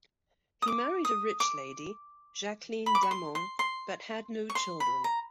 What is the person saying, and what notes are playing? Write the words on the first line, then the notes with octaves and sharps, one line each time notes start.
He married a rich lady, Jacqueline Damant, but had no children.
D#6
D6
D#6
D6
B5
D6
C#6
C6
C6
C6
C#6
C6
B5
A#5